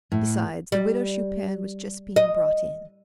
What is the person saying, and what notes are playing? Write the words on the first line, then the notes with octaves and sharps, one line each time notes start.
Besides, the Widow Chupin was just being brought in.
A2
G3
D#5